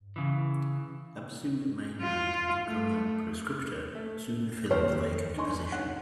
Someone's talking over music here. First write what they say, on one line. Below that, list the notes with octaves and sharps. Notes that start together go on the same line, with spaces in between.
Absu mainman and drummer Proscriptor soon filled the vacant position.
C#3 E3
F4
A3
A3
D#2 G4 C5 C#6 F6
D4 D#4 D#5 G#5 C6 C#6
C#4 F#5 F#6